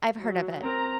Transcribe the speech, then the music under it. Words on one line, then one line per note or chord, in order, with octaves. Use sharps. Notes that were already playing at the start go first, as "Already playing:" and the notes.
I've heard of it.
F#3
C4 A#4 A#5